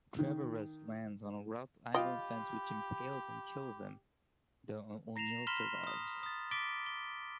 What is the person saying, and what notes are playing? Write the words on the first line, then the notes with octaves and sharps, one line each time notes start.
Traveres lands on a wrought-iron fence which impales and kills him, though O'Neill survives.
D#3
F4 G4 D#5 G5 B5
A#5 A#6 C7 E7 F7
B5 C6 F6 B6 E7 G7
D#6
D#6 A6
D6 A6 B6 D7 G7
G7